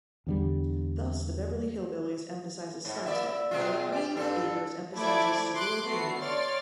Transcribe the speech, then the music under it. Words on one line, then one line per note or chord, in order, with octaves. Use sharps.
Thus "The Beverly Hillbillies" emphasizes slapstick, while "Green Acres" emphasizes surreal humor.
E2 D3 G3
G#2
A#3 D5 E5
B2 G#3 F4
G4 D5
G2 D4 A4
A3 E4 C5 D5 D6 G#6
C6 D6 F#6
A3 B3 F#4 C7
C#5 D5 C6 F6 A6